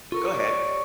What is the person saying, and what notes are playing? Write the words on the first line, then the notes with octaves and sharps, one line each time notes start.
Go ahead.
F4 A4 A#4 C#6
G4 C#5 D5